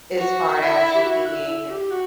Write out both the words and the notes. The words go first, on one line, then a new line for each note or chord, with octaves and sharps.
as far as me being,
F#4
E4
G4
F#4
E4
E4
G4
F#4